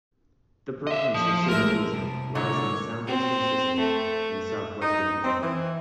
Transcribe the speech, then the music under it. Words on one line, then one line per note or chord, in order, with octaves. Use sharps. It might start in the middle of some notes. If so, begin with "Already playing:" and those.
The Province of Syracuse lies in the southeastern Sicily, in southwestern Italy.
D#5 E5
F3
A1 G#3 A#4 E5
C3 G3 A5
A#2 D3 C#5
C4
A3
D#4
C4
E3